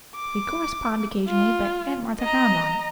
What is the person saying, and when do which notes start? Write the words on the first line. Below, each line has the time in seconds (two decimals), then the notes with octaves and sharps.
We correspond occasionally, but Aunt Martha frowns on it.
0.16 D6
1.29 F4
2.21 D#5 A#5